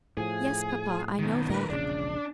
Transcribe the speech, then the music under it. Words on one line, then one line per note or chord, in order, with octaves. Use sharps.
"Yes, papa, I know that."
A2 F3 G#4
B2 D#3
A2 D3 A3 A#4 B4
E1 A#1 C#3 D4